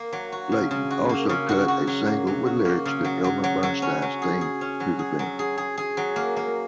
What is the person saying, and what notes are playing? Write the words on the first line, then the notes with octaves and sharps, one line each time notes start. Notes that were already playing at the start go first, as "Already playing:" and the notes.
Leyton also cut a single with lyrics to Elmer Bernstein's theme to the film.
Already playing: A#3
F#3
F#4
C#3
C#3
F#4
A#3
C#3
F#4
F#4
F#3
A#3
F#3
F#4
A#3
C#3
F#3
F#3
F#3
F#3
C#4
F#3
G#4
G#4
C#4
F#3
G#4
F#3
G#4
G#4
G#4
F#3
A#3
A#3